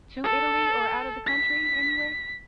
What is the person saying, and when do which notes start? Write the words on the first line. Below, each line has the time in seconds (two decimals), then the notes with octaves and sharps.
to Italy or outta the country, anywhere?
0.24 A4
1.27 B6